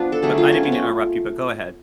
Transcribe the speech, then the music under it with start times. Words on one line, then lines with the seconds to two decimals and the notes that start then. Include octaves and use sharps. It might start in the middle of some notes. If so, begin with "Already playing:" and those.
but I didn't mean to interrupt you but go ahead.
Already playing: F3 B3 D4 F4 B4
0.12 A4
0.22 D3 F#3 A3 G#4
0.38 F4
0.52 C#4
0.63 B3
0.72 C#4